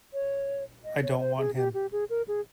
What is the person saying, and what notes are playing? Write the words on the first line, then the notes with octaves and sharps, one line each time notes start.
I don't want him.
C#5
D#5
C#5
C5
G#4
G4
G4
G#4
A#4
G#4